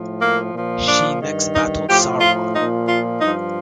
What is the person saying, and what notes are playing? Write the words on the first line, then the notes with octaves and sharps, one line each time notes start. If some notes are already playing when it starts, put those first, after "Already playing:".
She next battled Sauron.
Already playing: A2 F3
A#3
A#2 F3
D4
G2 D#3
D#4
A2 F3 G4
F4
A#2 F3 D#4
F4
G2 F3 D#4